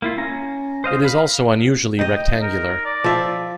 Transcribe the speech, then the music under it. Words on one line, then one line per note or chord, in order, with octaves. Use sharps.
It is also unusually rectangular.
A#3 E4 F4
C#4 A#5
C5 D#5 F5
F5 B5
D#4 D#5 G5
A#4
D5
F3 E5